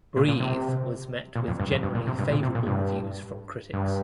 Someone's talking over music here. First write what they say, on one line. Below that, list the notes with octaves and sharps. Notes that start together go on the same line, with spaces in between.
Breathe was met with generally favorable reviews from critics.
A#2
A#2
C3
A#2
F2
G2
F2
G2
A#2
C3
G2
A#2
C3
A#2
G2
G2